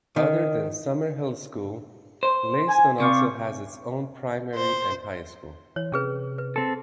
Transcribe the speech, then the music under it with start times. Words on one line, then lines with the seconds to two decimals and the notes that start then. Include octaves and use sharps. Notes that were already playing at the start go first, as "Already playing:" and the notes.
Other than Summerhill School, Leiston also has its own primary and high school.
0.16 D#3
2.23 C5
2.68 G#5
3.00 C3 D5 F5 C#6
4.55 C5
5.76 E3 C#5
5.92 C3 C#4 G#4 B4
6.38 B4
6.56 C4 A4